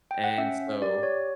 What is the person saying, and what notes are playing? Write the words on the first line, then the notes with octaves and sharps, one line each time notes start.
and so
G5
F#5
C#4 E5
G4 D5
C#5